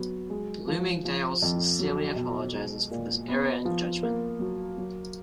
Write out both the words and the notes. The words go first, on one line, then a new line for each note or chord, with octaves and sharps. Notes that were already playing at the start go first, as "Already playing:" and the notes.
Bloomingdale's sincerely apologizes for this error in judgment.
Already playing: F#3 B3
G#3
F3
F3
F2
F#3
B2
G#3
A#2
B3
F3
A#3
F#3
F#3